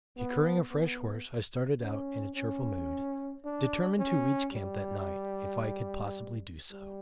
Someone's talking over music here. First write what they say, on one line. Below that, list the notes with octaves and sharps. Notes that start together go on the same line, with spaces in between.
Procuring a fresh horse, I started out in a cheerful mood, determined to reach camp that night if I could possibly do so.
B3
B3
C#4
C#4
D4
C#4
G3
G3